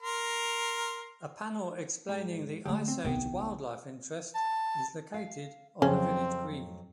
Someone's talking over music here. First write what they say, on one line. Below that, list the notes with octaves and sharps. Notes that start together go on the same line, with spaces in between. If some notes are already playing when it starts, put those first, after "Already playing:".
A panel explaining the Ice Age wildlife interest is located on the village green.
A#4 C6
G#2
D3 G#3 A3 G4
C4
D1 B1 C3 B3 D#4 G5
A5
F5
F2 C#3 F#3 C4 C#4